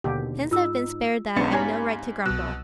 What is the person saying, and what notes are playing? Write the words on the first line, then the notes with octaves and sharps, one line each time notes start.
Since I've been spared that, I've no right to grumble.
D#2 B2 D3 G4
G#2 D#4 F4 E6
B1 G#3 B3 C#4 D4 C5 A6 C#7
G#2 C#4 G4 F5 G#5 A#5 B5 G#6
C2 B2 E6 F#6